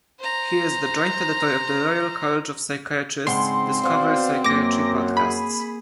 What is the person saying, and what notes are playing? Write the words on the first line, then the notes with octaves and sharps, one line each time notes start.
He is the joint editor of the Royal College of Psychiatrists "discover psychiatry podcasts".
C5 A#5
G#2 C#3 C4 F#5 C6
B2 F#4 C5 D5 F5
F#2 A#3 D6 A#6
G#4 B5